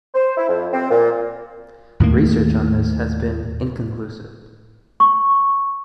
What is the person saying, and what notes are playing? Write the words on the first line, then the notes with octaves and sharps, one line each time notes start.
Research on this has been inconclusive.
C5
E4
F2
C4
A#2
D#2 A2 D#3 A#3
C#6